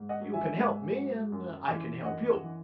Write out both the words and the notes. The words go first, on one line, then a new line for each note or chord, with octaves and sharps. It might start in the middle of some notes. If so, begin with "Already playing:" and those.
You can help me and I can help you.
Already playing: G#2
D#5 F#5
F#3
E5 G#5
G#2
F#3
F#2
E3
F#2 D#5 F#5
E3